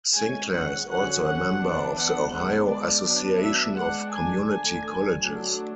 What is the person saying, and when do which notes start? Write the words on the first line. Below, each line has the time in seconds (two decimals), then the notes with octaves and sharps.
Sinclair is also a member of the Ohio Association of Community Colleges.
0.15 G#3 C#4 G#5
0.52 F#5
0.88 D3 F#3 C#4 F#5
1.23 F#5
1.60 E3 B3 D4
1.96 F#5
2.33 G#3 B3 D4 F#5
2.69 D5
3.04 F#3 B3 D4
3.40 E5
3.76 G#3 D4 F#5
4.13 G#5
4.48 D3 A3 D4 G#5
5.20 F#3 A3 D4